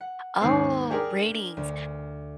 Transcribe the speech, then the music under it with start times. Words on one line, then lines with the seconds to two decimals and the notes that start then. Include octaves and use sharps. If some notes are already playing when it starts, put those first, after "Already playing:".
Oh, ratings.
0.01 F#5
0.41 D#2 G#2 F#6 C7
0.91 D4 G4 G#4 A#4
1.57 D2